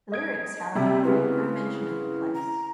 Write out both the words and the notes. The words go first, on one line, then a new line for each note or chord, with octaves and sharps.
The lyrics, however, make no mention of the place.
D#5 G#6 D7
C3 G3 E5
C#3 B3 C4 E4
A#5